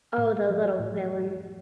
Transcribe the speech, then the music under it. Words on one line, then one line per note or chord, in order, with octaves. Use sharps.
Oh, the little villain!
A2
F3
A2